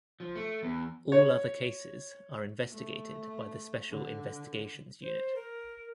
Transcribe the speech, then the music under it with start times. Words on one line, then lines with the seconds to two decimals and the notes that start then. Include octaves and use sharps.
All other cases are investigated by the Special Investigations Unit.
0.20 F3
0.35 A3
0.62 E2
1.12 C#5
2.72 A3
3.90 D3
5.02 C5
5.35 A#4